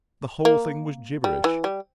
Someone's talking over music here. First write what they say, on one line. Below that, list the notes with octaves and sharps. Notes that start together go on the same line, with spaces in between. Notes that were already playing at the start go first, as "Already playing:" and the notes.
The whole thing was gibberish!
A#3
G3
E3
G3